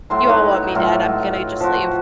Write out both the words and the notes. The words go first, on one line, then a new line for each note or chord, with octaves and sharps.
you all want me dead, I'm gonna just leave."
A2 F#3 C6
D#4 B4 C#5
A2 F#3 F4
F3 F#4